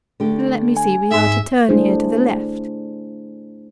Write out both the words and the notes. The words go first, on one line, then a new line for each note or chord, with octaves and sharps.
Let me see;--we are to turn here to the left.
D3 A3 G4
G#5
G#2 G#3 C4 D#4 E5
A3 D4 E4 G#4 C5